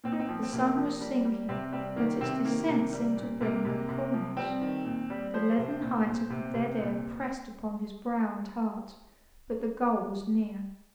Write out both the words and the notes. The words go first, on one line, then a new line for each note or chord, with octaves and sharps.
The sun was sinking, but its descent seemed to bring no coolness; the leaden height of the dead air pressed upon his brow and heart, but the goal was near.
A#2 C4
D#4
C4
F3
C4
C3 A#3
F3
G3
G3
C3 C4
G3 C4
D#3 A#3
C3 C4
D#3 A#3
A#3
C3
G3
A#2
C3 A#3
C3
C3
F3
G3 C4
D#3
A#2
G3
F3 C5
C3
A#2
A#2
C3
C3
A#2